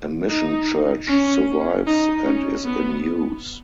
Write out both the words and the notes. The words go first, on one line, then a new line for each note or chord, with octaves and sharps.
A mission church survives and is in use.
D#4
C#4
D#4
C#4
B3